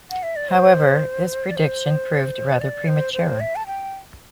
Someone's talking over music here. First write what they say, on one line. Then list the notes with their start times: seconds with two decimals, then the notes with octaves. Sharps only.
However, this prediction proved rather premature.
0.11 F#5
0.23 E5
0.36 D5
0.49 C5
1.49 D5
1.56 C5
2.61 D5
2.88 C5
3.13 C5
3.40 E5
3.56 A5
3.67 G5